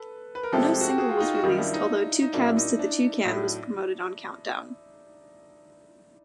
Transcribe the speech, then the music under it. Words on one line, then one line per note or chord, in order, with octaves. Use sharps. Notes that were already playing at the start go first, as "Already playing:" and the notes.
No single was released, although "Two Cabs to the Toucan" was promoted on "Countdown".
Already playing: A4 B4
B4
A#4
C2 C3 F3 G#3 C4 G4 A4
F#4
G4
F#4 G#4
F4 G4
D#4 F4
F#4
F#2 D#3 G3 D#4 F4
D4 E4
D#4
D#4
A2 F#3 A#3 C#4 D4 E4
D#4
D4
A2 F#3 A3